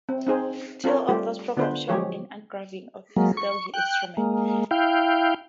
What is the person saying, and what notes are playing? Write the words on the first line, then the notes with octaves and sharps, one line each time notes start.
Two of those programmes show an engraving of Stadler's instrument.
C4
C4 D#4 G#4 C5
C4 F4 A4 A#4 C#5
G3 A3 F4 G4
D3 B3 D4 F4 B4 C5
F3 F#3 G#3 G4 G#4 C#5
F#3 G#3 A#3
C#6
G5 F#6
G#3 A#3
E4 F5 G5